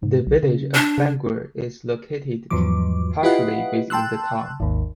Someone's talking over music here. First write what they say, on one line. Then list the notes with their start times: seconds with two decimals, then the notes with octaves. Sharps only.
The Village of Bangor is located partially within the town.
0.03 G#2
0.27 B1
0.43 C#3
0.74 D4
0.98 C#3
2.50 E2 G#2 F3 F#3 D6
3.23 E4 F4 G4 B4 D#5 F#5
3.90 G5 A5 C6 E6 F#6
4.60 G#1 D#2